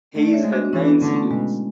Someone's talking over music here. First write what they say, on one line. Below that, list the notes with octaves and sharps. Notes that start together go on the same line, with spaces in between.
Hayes had nine siblings.
A3
D5
C#5 E5
G#3
D4 F#4
D4
E3 C#4 E4
B3 D4
D3 A3 C#4
A3 C#4
B2 G#3 B3